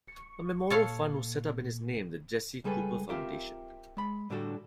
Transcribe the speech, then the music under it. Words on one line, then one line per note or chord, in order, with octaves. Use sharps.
A memorial fund was set up in his name, the Jesse Cooper Foundation.
C#6
A#2 A4 C#5 F5
C#2 G3 G#4 A4 B4
C4 F4 G4 A#4 E5 F5
G#3 B5
A2 D3 G3 D4 F#4 A4